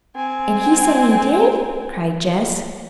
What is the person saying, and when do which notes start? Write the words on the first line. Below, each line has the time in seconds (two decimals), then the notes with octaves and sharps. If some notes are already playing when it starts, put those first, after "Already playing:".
"And he said he did!" cried Jess.
0.15 C4 G#5